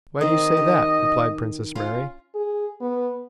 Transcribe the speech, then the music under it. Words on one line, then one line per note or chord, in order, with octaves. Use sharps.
"Why do you say that?" replied Princess Mary.
D#3 C4 D#5
G4
C#4 F4
G#4
B3